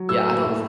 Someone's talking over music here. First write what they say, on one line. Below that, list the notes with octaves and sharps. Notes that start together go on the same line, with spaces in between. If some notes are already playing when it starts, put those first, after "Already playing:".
Yeah, I don't th
Already playing: F#3
A2 E6
A#3
A2